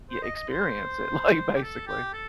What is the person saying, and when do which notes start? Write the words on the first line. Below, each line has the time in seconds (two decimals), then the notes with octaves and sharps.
yeah, experience it, like, basically
0.10 C5
0.23 D#5
0.35 D#5
0.49 C5
1.55 G4
1.62 A4
1.87 G4
2.13 A4